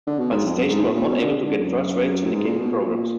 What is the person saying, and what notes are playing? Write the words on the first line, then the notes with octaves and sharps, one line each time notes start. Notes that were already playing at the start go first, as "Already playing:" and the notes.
But the station was not able to get first-rate syndicated programs.
D3
B2
G#2
F2
F#2
G#2
A#2
A#2
B2
D3
D3
F#2
F#2
G#2
A#2
B2
A#2